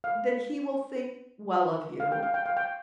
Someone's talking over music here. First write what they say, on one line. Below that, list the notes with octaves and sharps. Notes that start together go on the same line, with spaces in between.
then he will think well of you,
F5
F5
G5
F5
G5
F5
G5